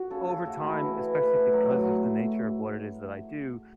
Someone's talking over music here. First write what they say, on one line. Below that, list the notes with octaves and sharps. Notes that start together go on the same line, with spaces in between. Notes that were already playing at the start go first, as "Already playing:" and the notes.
over time, especially because of the nature of what it is that I do,
Already playing: F#4
C#3 A4
C#3 A4
A2 F#4
E4
A2 F#4
E3
E3
A2
A2
F#3
F#3